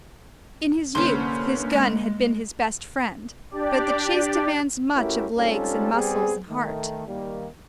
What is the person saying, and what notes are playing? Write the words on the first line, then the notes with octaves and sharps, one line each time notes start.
In his youth his gun had been his best friend; but the chase demands much of legs and muscles and heart.
C2 D3 A#3 C#4 B4 C5
G#3
D4 G4 D5
A3 C#4 E4 F#4 G4 A#4
G3 C4 C#4 D#4 F4 A4
G3 B3 C4 G#4
D#3 A3
D#3 G3 A#3